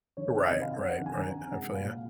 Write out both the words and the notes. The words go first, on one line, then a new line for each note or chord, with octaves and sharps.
Right, right, right, I feel ya.
D#3 C#5
C3 D#5
D#3
F5
C3
C3 F#5
D#3
G#5
D#3 A#5
G#5
C3
G#3 F#5
A#2
F5
A#2